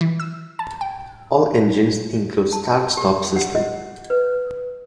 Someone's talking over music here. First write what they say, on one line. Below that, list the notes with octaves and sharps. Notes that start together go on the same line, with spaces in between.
All engines include start-stop system.
E3
E6
A5
G5
A5
G4
F#5
D#5
B4